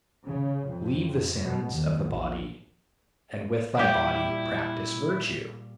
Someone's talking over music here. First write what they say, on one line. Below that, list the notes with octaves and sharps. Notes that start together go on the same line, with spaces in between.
Leave the sins of the body, and with thy body practise virtue!
C#3
F2
B2
D#2
A#1
A#2 G3 E4 G4